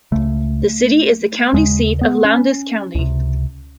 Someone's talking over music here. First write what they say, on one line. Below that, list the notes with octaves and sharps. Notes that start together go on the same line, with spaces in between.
The city is the county seat of Lowndes County.
C#2 C#3 A3
D#2 C#3 G#3
B3
C#4
C#2 C3